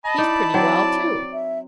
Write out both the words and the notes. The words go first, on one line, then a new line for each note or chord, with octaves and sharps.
He's pretty well, too.'
D#5 A5 B5
D#4 E4 D5
F#3 C4 D5
E5